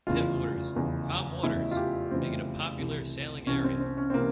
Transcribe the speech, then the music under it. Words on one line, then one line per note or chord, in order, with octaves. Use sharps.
Pittwater's calm waters make it a popular sailing area.
F1 E2 C#3 E3 F4
F1 E2 C#3 E3
F1 E2 C#3 E3 E4
F4
G4
F1 E2 C#3 E3 C4
C2 C3 E3
C2 C3 E3 C#4
C4
C4
C#4
C4
C3 E3 A#3